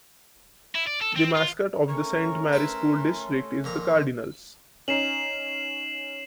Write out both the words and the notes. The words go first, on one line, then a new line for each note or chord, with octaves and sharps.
The mascot of the Saint Mary school district is the "Cardinals".
E4
D5
A4
C4
F4
A3 C#4 A#4 C#6
E4 B4 E5 C6
F2 A#2 A#5
C#4 D#4 C7 E7 F#7